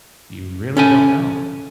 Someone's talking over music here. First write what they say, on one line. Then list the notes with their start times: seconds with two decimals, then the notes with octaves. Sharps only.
you really don't know.
0.77 C#4 A4 G#5